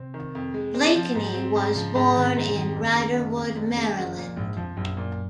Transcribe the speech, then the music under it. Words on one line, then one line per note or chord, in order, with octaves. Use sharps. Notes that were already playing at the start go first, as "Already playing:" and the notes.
Blakeney was born in Riderwood, Maryland.
Already playing: C3 C4
D#3
F2
G#3
C4
F3
G#2
C4
G#2
C#3 F3
G#2
D#3 C4
G#2
C#3
F2 D#3
F#1
C#3
F#1
F2
F#1
C#3
F#1
A#2
A#1 G#2
F2 F3
A#1 F#2
A#2